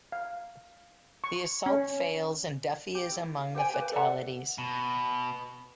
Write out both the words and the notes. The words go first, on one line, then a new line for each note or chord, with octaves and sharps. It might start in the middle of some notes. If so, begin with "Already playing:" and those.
The assault fails and Duffy is among the fatalities.
F5
C#6
C#4
G4
E4
F5
G4 C5 G5 G#5
G4 B4 F5
A4 D5 E5 F#5
B2